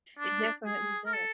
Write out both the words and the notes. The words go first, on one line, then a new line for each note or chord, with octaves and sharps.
it definitely does.
D4
G#4
A#4
A4